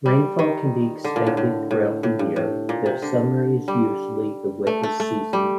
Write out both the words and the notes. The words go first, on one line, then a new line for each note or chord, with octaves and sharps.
Rainfall can be expected throughout the year though summer is usually the wettest season.
G3
D#3
D3
A#2
A2
A2
A2
A2
G2
A2
A#2
C3
D3
G3
A3
A3
A3
G3